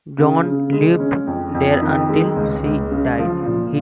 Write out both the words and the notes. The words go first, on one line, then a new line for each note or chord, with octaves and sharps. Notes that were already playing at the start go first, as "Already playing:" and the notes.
John lived there until he died.
C#3
C#3
G#3
C#4
F2
F2
D#3
G#3
C#2
C#2
C#3
F3
A#2